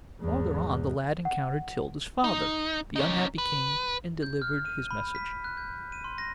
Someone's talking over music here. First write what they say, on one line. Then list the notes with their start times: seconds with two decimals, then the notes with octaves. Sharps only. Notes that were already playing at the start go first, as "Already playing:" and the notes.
Farther on, the lad encountered Tilda's father, the unhappy King, and delivered his message.
0.21 E2 G#2
1.25 F#5
2.24 D#4
2.96 C#4 D#4
3.38 B4
4.23 G6
4.42 F6
4.66 D#7
4.91 B5
5.15 B6
5.44 F#6
5.57 G6
5.92 D#7
6.04 C6
6.18 A#6